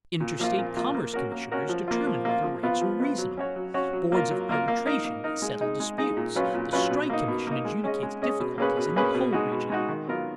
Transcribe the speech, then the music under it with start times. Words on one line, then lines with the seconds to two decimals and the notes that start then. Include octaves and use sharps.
Interstate commerce commissioners determine whether rates are reasonable, boards of arbitration settle disputes, the strike commission adjudicates difficulties in the coal regions.
0.20 A#2
0.40 F3 A#3 F4
0.59 A#2
0.77 F3 A#3 F4
0.95 A#3
1.14 C#4 F#4 A#4
1.32 A#3
1.52 C#4 F#4 A#4
1.69 F3
1.88 A#3 F4
2.07 F3
2.25 A#3 F4
2.44 F3
2.63 B3 F4
2.81 F3
3.00 B3 F4
3.18 F#3
3.37 C#4 F#4 C#5
3.56 F#3
3.74 C#4 F#4 C#5
3.93 F#3
4.12 A#3 F4 A#4
4.31 F#3
4.49 A#3 F4 A#4
4.68 A#3
4.86 D#4 A#4
5.05 A#3
5.24 D#4 A#4
5.42 G#3
5.61 D#4 G#4 D#5
5.80 G#3
5.98 D#4 G#4 D#5
6.17 A#2
6.35 F#3 C#4 F4 B4
6.54 A#2
6.73 F#3 C#4 F4 B4
6.90 B2
7.10 A#3 D#4
7.28 B2
7.47 A#3 D#4
7.65 G#3
7.84 C#4 G#4 D#5
8.03 G#3
8.22 C#4 G#4 D#5
8.40 B2
8.58 A#3 C#4 G#4 B4
8.77 B2
8.96 A#3 C#4 G#4 B4
9.14 B2
9.33 G#3 D#4 F#4
9.52 B2
9.70 G#3 D#4 F#4
9.88 D#3
10.07 F#3 B3 F4 A#4